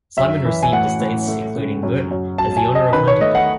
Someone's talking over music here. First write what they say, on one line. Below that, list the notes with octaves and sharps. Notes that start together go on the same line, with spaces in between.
Simon received estates including Merton as the honour of Huntingdon.
F#2 E5
E3
G#5
A2 F#5
A2
A3
C#3
F#2
F#2
F#3 A5
G#5
F#3
D#5
D#3 B4
C#5
A3 D#5
F#5